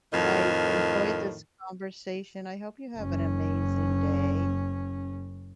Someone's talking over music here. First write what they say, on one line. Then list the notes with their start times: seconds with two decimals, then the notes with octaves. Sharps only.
But I enjoyed this conversation. I hope you have an amazing day.
0.11 F2 A2 D#3
2.97 F#1 C#4